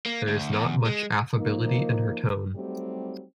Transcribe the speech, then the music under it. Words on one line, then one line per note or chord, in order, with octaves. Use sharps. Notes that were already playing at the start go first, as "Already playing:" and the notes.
There is not much affability in her tone.
A#3
D2
E2
G#3
F3 A#3 D#4
F#3 G3 A3 C4 D#4 G4